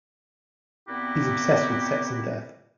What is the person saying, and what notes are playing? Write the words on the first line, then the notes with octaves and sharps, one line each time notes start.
He's obsessed with sex and death.
A#2 B3 C4 E4 F#4 G4